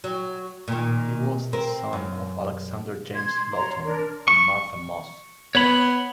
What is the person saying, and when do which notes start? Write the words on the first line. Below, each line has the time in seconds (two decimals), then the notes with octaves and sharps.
He was the son of Alexander James Lawton and Martha Mosse.
0.04 F#3
0.68 A#2 D#3
1.53 C4 A#4
1.93 F#2
3.14 C6 G#6
3.52 C#5 A#5 C6
3.83 D4 A#4
4.28 C#6
5.55 B3 C#5 B5